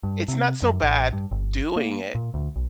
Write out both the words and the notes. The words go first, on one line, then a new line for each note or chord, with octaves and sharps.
it's not so bad doing it,
G2
C3
F#2
A1
G2
G1
A#3
A#2
D2
B1